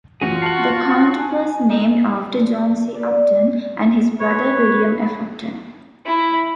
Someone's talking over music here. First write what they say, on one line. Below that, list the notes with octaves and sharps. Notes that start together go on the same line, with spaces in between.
The county was named after John C. Upton and his brother William F. Upton.
F#2 E3 A3 C#4 F4 F#4 G#4
F5 F#5 A5 C#6 F#6
G#5
D#4 A4 D#5
G3 A3 A#3 F4
G3 G#3 D4 D5
B4 C#5
E4